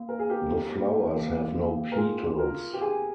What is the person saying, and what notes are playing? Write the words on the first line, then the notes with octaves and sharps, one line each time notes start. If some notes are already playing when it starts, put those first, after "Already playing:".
The flowers have no petals.
Already playing: A#3
A#4
G#4
G4 A#4
A#3
A#3
A#3
A#4
F4 G#4
F4 A#4
G4
G#4 G#5